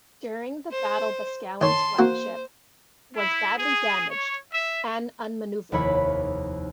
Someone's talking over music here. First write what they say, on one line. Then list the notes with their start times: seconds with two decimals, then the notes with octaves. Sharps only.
During the battle Boscawen's flagship, was badly damaged and un-manoeuvrable.
0.72 C5
1.61 D#3 C#5 A5 C6
1.99 A#3 F#4 C5
3.15 E4
3.56 G#4
4.09 C#5
4.52 E5
5.72 F1 D#2 E4 C#5 B5